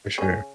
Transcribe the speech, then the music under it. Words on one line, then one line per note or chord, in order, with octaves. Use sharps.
For sure.
C#3 C#4